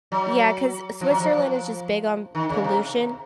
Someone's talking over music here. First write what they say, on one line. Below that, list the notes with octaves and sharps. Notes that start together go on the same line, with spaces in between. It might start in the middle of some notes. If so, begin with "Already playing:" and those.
Yeah, 'cause Switzerland is just big on pollution,
F#3
F3
F#3
F3
D#3
C#3
C3